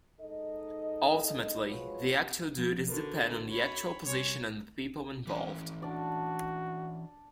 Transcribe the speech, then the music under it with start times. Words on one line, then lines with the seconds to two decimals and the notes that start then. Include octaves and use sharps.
Ultimately the actual duties depend on the actual position and the people involved.
0.20 G#2 D#4 A4 D#5
1.66 F3 F#3 G#3 F4 B4 C#5
2.58 F3
2.89 D3 F#4 A#4 B4
3.50 C#5 B5
4.06 C2 C#5 G#5 C6
5.27 E3 C#4
5.82 D4 F#4 D5